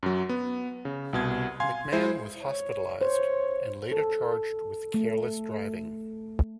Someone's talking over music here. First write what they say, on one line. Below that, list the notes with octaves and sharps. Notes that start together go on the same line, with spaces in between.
McMann was hospitalized, and later charged with careless driving.
F#2 F#3
B3
C#3
C2 B2 G#6
F5 G#5 C6 G#6
G#3 E4 C5
C#5
C5 C#5
A4
A3